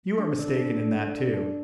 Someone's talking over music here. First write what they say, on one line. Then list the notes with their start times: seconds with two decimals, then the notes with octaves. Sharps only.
You are mistaken in that, too.
0.18 D4
0.38 A4 D5
0.57 D4
0.76 A4 D5
0.95 D4
1.14 A4 D5
1.34 D4